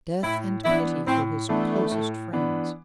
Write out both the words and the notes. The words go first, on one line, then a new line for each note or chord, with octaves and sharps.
Death and Pity were his closest friends.
A2 E4
E3 B3 D4 E4
A2 C4
E3 A3 B3 D4
A2
E3 B3 D4